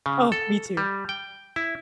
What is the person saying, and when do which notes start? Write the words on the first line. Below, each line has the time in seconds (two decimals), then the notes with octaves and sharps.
Oh, me too.
0.06 C#3
0.32 A4
0.77 G3
1.09 G5
1.56 E4